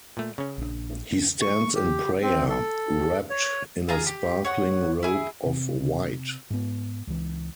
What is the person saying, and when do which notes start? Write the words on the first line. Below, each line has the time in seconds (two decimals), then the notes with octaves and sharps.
He stands in prayer, wrapped in a sparkling robe of white.
0.17 A#2 A3
0.38 C#3 C#4
0.58 A#1 D4
1.42 C#6
1.75 G4
2.23 C4
2.49 A4
3.30 C#5
3.89 F4 G#4 A#5
4.07 G4
4.45 C#5 F#5
5.03 E4 G#4
5.46 C3
6.50 G#2 B3
7.07 C#2 E3